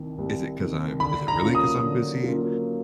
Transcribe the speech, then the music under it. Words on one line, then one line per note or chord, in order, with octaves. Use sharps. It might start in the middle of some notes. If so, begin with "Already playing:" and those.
is it 'cause I'm is it really 'cause I'm busy,
Already playing: C2 C3 D#3
C2
C3 D#3
D3 B5
A#5
F#3 A#3 C#4 F4
D#6
D3
F#3 A#3 C#4 F4